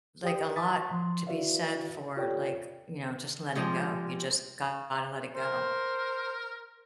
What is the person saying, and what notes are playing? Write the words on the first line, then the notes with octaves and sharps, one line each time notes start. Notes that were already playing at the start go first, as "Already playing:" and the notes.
like, a lot to be said for, like, you know, just letting go. You just gotta let it go.
G4 D5 G5 D#6
A5 C6 D6 D#6 A6 B6
F3 C6
E4 F#4 B4 D5 E5 F5
F4 G4 A4 C#5 D5 G5
F3 G3 G#3
A#4 C5